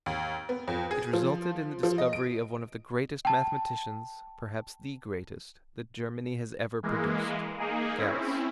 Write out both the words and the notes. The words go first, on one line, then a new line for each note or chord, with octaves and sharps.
It resulted in the discovery of one of the greatest mathematicians, perhaps the greatest, that Germany has ever produced--Gauss.
D#2
B3
F2
G#4
F3
F3
D#5
D7
G5 A5
E3 G#3 A#3
A#3 D#4 G#4
C4 C#4 E4